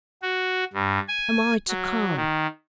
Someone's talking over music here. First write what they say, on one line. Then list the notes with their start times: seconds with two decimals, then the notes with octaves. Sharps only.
"Am I to come?"
0.22 F#4
0.73 G2
1.08 G#5
1.69 F#3
2.16 D#3